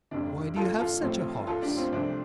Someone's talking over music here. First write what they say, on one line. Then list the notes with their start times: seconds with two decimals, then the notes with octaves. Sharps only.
"Why do you have such a horse?"
0.11 F1 F2 C3 D4
0.56 F4 A4
0.79 F4 A4
1.01 A1 A2 F3 C4
1.47 F4 A4
1.62 D4 G4
1.77 C4 F4
1.93 C2 C3 F3 A3 C4 D4